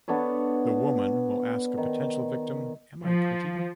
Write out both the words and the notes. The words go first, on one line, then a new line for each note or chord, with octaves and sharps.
The woman will ask a potential victim Am I pretty?
B3 D4 A4 C#5
D#3
F3